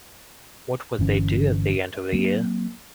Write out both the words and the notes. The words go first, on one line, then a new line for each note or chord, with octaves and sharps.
What would they do at the end of a year?
G1 E3 C#4
F#3 A#3 C4